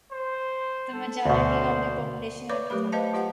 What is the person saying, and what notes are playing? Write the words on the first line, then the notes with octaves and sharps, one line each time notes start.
The majority of the population are Catholic.
C5
A4
D2 B2 C5
B4 C#5 D5 B5 C#6 D6
F#3 A3 G4 A#4 B5
B4 C5 D#5 F5 A5
F4 G4 D#5 F#5